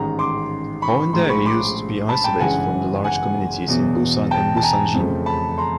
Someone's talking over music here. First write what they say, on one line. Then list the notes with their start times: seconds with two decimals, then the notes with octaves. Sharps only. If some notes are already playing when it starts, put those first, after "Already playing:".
Haeundae used to be isolated from the large communities in Busan and Busanjin.
Already playing: A1 G#2 D#3 A#5
0.19 C6 D6
0.82 B5 C#6
1.13 A#1 A2 F3 G#3 A#5 C6
1.30 B5 C#6
1.45 C6 D6
2.09 A5 B5
2.24 G5 A5
2.40 G1 F#2 C#3 E3 G#3 F#5 G#5
3.04 F#5 G#5
3.68 E1 E2 B2
4.31 G5 A5
4.57 A5
4.63 G#5 A#5
4.94 F2 C#3 F3 A3
5.26 A5 B5
5.58 A#5 C6